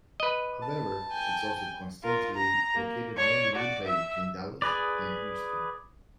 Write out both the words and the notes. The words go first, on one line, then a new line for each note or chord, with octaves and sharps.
However, it is also coincidentally located nearly midway between Dallas and Houston.
B4 D#5
A5
G5 G#5
F4 A#4
A#5
A#3
C#5 D5
F#4 D5
E5 E6
G#4 B4 D5